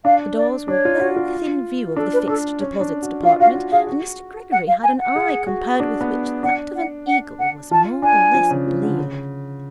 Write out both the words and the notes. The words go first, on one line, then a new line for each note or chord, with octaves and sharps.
The doors were well within view of the Fixed Deposits Department, and Mr Gregory had an eye compared with which that of an eagle was more or less bleared.
D4 F5
D5
D4 C#5
F4
F#4
F4
D4 A4
B4
D4 A4
C#4
D4
F#4
F4 F5
F#4 F5
F#4
G#4 F5
F#4
F#5
F5
G#5
F#5
G#4
F#4
D4
B3
D4 F#5
F#5
F#5
F#5
F4 A5
D4 G#5
F3
C#3
F3
D3
C#3